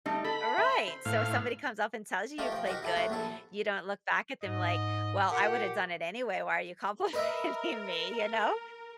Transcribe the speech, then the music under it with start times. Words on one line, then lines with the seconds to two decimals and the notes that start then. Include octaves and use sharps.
Right! So if somebody comes up and tells you you played good, you don't look back at them like, "Well, I woulda done it anyway, why are you complimenting me," you know?
0.06 G3 A3 D#4
0.25 A4 B5
0.58 E5
0.88 C5
1.05 A2 F5
2.38 A3 D#4 F4 G4 A#4
2.52 F3 G5
2.66 D#4 F#4 G4 A#4
2.82 E4 G4 A4
2.96 A3 D4 E4
3.10 A#1 F#3 E4 A4
4.43 G#2 D#5
5.31 A#2 G4 A#4 F#5 D6
7.13 A#4 B4 D#5 E5